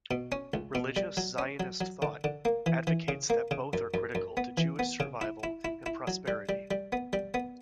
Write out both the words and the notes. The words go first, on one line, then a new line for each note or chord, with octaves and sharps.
Religious Zionist thought advocates that both are critical to Jewish survival and prosperity.
B2
C#4
C#2
B2
G3
F#3
C#4
F#3
F#3
D3
D3
A#3
E3
E3
C#3
A#3
C#3
F#2
F#2
F#2
B3
E3
B3
C#3
E4
E4
E4
E4
F#3
G3
G3
G3
B3
G3
B3